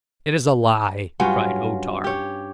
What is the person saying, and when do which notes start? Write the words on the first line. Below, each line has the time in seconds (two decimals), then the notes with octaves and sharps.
"It is a lie!" cried O-Tar.
1.20 G2 F#3 C#4 F4
2.04 G4 C#5